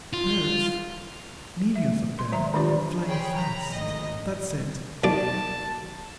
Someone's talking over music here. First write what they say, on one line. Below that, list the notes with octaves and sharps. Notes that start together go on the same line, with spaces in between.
"Birds!--millions of them--flying fast--that's it!"
F4
E5
C6
D#3 F#3 G#3 E5 A#5
D#3 E3 D4 F4 G4 D5
G#4 C#5 G5 B5 C6
A#5 B5
G#1 D2 D#5 A#6
B1 D5 A5